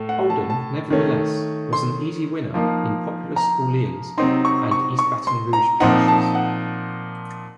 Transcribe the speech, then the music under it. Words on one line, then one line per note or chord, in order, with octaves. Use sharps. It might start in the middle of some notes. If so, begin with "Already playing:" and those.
Holden nevertheless was an easy winner in populous Orleans and East Baton Rouge parishes.
Already playing: A2 A3
F#5
A5
A5
D#3 A3 C#4
C6
F3 A#3 D#4
A#5
C3 F#3 C4 D#4 C6
C#6
C#6
C#6
C6
A#5
A#2 F3 C4 D#4 F#5
A5
F#5